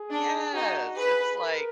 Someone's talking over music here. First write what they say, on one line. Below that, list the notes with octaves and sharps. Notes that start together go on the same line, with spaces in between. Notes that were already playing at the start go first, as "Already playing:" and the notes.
Yes, it's like
Already playing: G#4
D4
D#4 F#4
G#4 B4
A#4